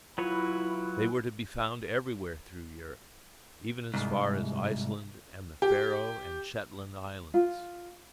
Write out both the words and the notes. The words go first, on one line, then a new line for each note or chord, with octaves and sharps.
They were to be found everywhere through Europe, even as far as Iceland and the Faroe and Shetland Islands.
F#3 E4 F4 B4 C#5
C2 G#2
G4
F4